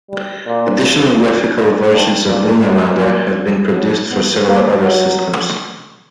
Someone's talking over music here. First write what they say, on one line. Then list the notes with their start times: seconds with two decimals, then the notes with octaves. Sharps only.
Additional graphical versions of "Lunar Lander" have been produced for several other systems.
0.10 G3
0.47 A#2
1.19 A#2
1.55 A#2
1.92 G2
2.28 A#2
2.65 F#2
3.01 A#2
3.74 F#3
4.10 B3
4.47 A#3
4.82 F#3